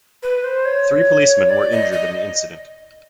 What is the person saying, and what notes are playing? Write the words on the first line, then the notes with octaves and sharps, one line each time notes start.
Three policemen were injured in the incident.
B4
C5
C#5
D5
D#5
D#5